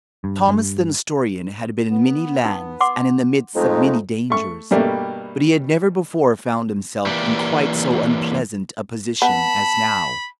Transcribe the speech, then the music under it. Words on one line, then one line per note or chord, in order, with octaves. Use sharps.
Thomas the Nestorian had been in many lands and in the midst of many dangers, but he had never before found himself in quite so unpleasant a position as now.
G2
G2
B3
D#4
F#5 C6 D6
F2 G#3 A3 D#4
A3 C#6
G2 B2 G3 A3 A#3
E3 A#3 G4 B4 D5
B3 A5 B5